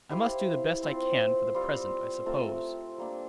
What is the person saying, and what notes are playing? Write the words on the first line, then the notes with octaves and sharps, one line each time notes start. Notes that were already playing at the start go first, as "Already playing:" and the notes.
I must do the best I can, for the present, I suppose.'
E4 G4 C5 F5
C4 F4 C5
G3 C4 F4
A3 C4 F4 A#4
G3 A#3 D4